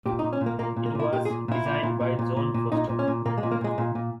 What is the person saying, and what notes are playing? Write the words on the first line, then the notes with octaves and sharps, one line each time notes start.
It was designed by John Foster.
A#2 G4
D#4
A#2
C#4
A#2
A#3
A#2 A#3
A#2
A#3
A#2 E4
A#2 G4
G#4
A#2
A#2 E4
A#2
A#2
A#2
A#2
A#2
A#2
A#2 D#4
A#2
C#4
A#2
A#2 A#3
G#3
A#2
A#3
A#2 G#3
A#2
A#2